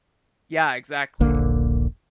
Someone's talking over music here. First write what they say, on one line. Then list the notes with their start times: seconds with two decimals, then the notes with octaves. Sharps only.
Yeah, exactly.
1.20 D#1 A#1 D3 A#3